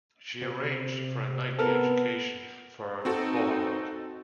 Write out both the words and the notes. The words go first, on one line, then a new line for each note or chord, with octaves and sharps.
She arranged for a knightly education for Bohemond.
C3
B3 A4 A#4
C4 D#4 F#4 A4